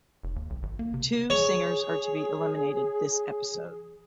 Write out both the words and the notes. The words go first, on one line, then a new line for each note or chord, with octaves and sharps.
Two singers are to be eliminated this episode.
F1
D#2
B1
G#1
A#3
C3
G#4 C#5